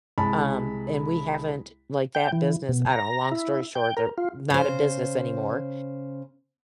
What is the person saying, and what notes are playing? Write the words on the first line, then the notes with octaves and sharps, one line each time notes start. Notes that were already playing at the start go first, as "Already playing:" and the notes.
um, and we haven't like, that business I know, long story short, they're not a business anymore.
C2 G#3 A5 B5
G5
E3
B2
A#5
E4
G5
A#4
F4
C#3 C5